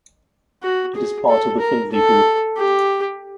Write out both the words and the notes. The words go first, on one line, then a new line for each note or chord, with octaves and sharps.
It is part of the Findlay Group.
F#4
G#4
A4
A#4
A4
G4